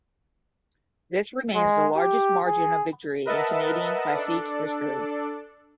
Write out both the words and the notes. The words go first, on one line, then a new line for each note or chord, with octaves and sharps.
This remains the largest margin of victory in Canadian Classique history.
G#3
G4
G#4
A#4 B4 D#5 E5 F#5 A5
D4 A4 D5